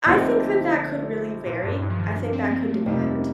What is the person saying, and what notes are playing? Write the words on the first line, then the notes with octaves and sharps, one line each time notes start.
I think that that could really vary. I think that could depend,
A#1 A#2 D3 A3 C4 D#4
A#2
G2
G2
F3
D#3
D4
C4
A#3
A3
F2 C3 G3 A3 A#3 D#4